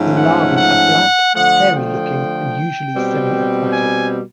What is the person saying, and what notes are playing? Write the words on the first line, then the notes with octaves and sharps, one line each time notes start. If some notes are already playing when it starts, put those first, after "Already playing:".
The larvae are black, hairy-looking, and usually semiaquatic.
Already playing: G#2 F3 A3 C#4
F#5
F#5
D3 F3 A3 F#5
G5
B2 G3 C4
G#5